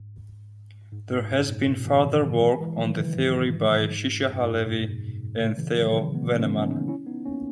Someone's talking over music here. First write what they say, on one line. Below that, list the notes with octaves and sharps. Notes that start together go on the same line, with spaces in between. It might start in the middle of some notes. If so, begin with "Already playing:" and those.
There has been further work on the theory by Shisha-Halevy and Theo Vennemann.
Already playing: G#2
G#2
G#2
F#2 A#2
G#2 B2
G#2 B2
B2 D#3
C#3 E3
D#3 F#3
E3 G#3
E3 G#3
D#3 F#3
C#3 E3
G#2
G#2
F#2
G#2
A#2
G#2 B2
A#2 C#3
C#3 E3
D#3 F#3
C#3 E3
G#3 B3
A#3 C#4
C#4
B3 D#4
C#4 E4
B3 D#4
A#3 C#4